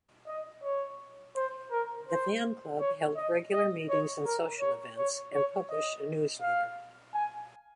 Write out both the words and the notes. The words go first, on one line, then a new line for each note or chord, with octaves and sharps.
The fan club held regular meetings and social events and published a newsletter.
D#5
C#5
C5
A#4
C5
C#5
D#5
D#5
C#5
A#4
C#5
C#5
C#5
D#5
F5
G#5